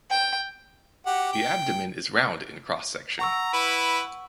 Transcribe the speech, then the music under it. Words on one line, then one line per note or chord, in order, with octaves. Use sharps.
The abdomen is round in cross section.
G5
F#4 G4 F#5
G5
F#5 A#5 C#6 E6
E4 B4